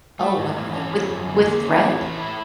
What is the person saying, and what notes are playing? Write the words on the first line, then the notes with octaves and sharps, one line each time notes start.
Oh, wow! With with thread?
A3
G#2
E3
C#4
F3
F#2
D3
A#3
C#4
E3
A3
E4